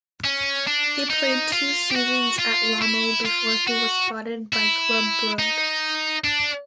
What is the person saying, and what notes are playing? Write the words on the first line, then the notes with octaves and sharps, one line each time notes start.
He played two seasons at Lommel before he was spotted by Club Brugge.
C#4
D4
D#4
F4
G4
F#4
F4
E4
F4
F#4
E4
D#4
D4